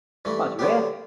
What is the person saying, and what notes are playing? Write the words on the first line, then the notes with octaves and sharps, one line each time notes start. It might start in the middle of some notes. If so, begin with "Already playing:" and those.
Glad you're here.
G2 E3 A3
D3 F#3 B3 D4 G4